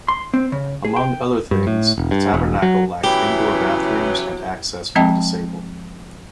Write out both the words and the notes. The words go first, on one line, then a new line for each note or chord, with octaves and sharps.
Among other things, the Tabernacle lacked indoor bathrooms and access for the disabled.
C6
C4
C#3
G#4
G5
G2
A2
E1
G2
E1
F#3
C#3 E3 F#3 B3 E4 G4
F3 G#3 C4 D#5 G5 A5